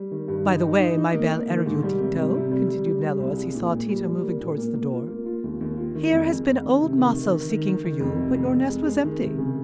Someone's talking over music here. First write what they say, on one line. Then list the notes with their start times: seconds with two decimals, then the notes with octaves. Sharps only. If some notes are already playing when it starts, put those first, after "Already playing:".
By the way, my bel erudito," continued Nello, as he saw Tito moving towards the door, "here has been old Maso seeking for you, but your nest was empty.
Already playing: G3
0.11 D#3
0.28 G2
0.46 D#4
0.63 D#4
0.80 D#4
0.97 D#4
1.14 A#3
1.31 A#3
1.48 D#3
1.66 G#2
1.83 G3
2.00 C3
2.17 G3
2.34 C3
2.52 G3
2.69 G3
2.86 G3
3.03 G3
3.20 C2
3.37 G#3
3.55 A#2
3.72 A#2
3.89 G3
4.06 G3
4.23 A#3
4.41 A#2
4.58 A#3
4.74 A#3
4.92 F4
5.09 A#3
5.26 F4
5.44 D#2
5.61 D#2
5.78 F4
5.95 D#3
6.12 F2
6.29 G#3
6.46 F2
6.64 D#3
6.81 C3
6.98 D#3
7.15 D#3
7.32 D#3
7.50 D#3
7.67 D#3
7.84 D#3
8.01 F2
8.18 C3
8.35 F2
8.53 F2
8.69 G#3
8.87 G#3
9.04 D#3
9.21 C3
9.38 C#3